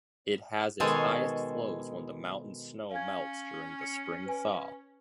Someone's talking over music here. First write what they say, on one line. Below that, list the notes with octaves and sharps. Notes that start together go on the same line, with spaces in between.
It has its highest flows when the mountain snow melts during the spring thaw.
B2 D#3 G#3 A4 C5 C#5
C#4 F5 G#5 G#6
C#7
B4 G#5